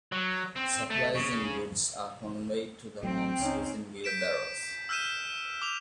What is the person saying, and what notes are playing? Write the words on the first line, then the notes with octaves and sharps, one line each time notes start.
Supplies and goods are conveyed to the homes using wheelbarrows.
F#3
C4
A3
C#3
A1 F#3 A3 C4 G5
C#2 C#4 D#4
G6 B6 D7 E7
E6 F6 G6 B6 D#7 E7
D6 F7